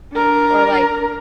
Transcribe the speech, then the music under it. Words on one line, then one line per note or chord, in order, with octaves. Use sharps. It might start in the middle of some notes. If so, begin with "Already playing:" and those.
or, like,
D4 A#4